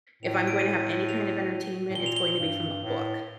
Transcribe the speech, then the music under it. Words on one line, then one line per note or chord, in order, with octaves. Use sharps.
If I'm going to have any kind of entertainment, it's going to be from a book,
A2 F7
D#7
D7
D#7
F7
A2
A#2 G7
F7
G7
G2
A2